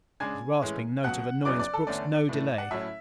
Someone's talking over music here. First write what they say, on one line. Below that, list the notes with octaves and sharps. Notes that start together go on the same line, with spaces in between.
His rasping note of annoyance brooked no delay.
C#3 G#3 D4 G#5 G#6
A2 E3 G#3 C#4
C#2 B2 F#3 F#5 F#6
E2 C#3 F#3 B3 E4 D5 D6
D5 D6
A4 A5
E2 D3 A3 C#4 D5
A2 E3 A3
F#5
A2 F#3 A3 C#4 E4 E5